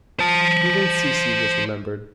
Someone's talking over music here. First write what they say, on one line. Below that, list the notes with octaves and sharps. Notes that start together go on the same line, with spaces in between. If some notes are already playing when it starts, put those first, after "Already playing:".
Even Cecy was remembered.
C5 A5